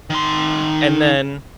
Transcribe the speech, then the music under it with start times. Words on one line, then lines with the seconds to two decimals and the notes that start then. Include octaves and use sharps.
And then,
0.10 D#3 C6